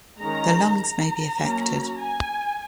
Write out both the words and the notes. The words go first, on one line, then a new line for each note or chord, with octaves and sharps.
The lungs may be affected.
D#3 G#3 C#4 A#5
A#5
F#3 A#3 C#4
G#5